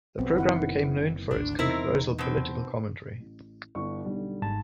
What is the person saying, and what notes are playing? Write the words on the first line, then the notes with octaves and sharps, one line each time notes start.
The program became known for its controversial political commentary.
B1 B3 C4
F#1 D#3 E4 F#5
G#1 D2 D4
E2 C4 D#4 E4 A#4
B2 C4
A1
G1 E4 C#6
B1 D3 G3
G#1 G#2 A5